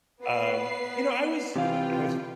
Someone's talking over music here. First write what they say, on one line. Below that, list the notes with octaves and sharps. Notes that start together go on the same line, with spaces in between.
um You know, I was I was
B3 B4 C7
C3 E3 F4 B4 F5 G5